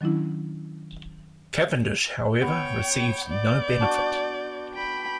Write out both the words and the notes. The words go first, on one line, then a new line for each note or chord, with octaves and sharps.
Cavendish, however, received no benefit.
D#3 F#3 C#4 D4 E4
B3 C#5 G5
D5 G6
D4 F#4
G5 B5